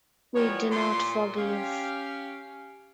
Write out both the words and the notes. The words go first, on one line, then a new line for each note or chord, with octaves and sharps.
We do not forgive.
E3 F3 G3 B3 A#4 C#5
A#2 C6
C#4 G4 F5